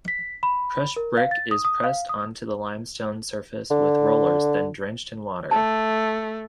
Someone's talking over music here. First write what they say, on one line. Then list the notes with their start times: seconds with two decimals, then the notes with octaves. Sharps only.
Crushed brick is pressed onto the limestone surface with rollers, then drenched in water.
0.08 B6
0.43 B5
0.96 A#4
1.17 F5
1.31 A6
1.51 D#6
1.65 D#6
1.84 F5
2.09 D#6
3.71 D3
5.51 A3 A5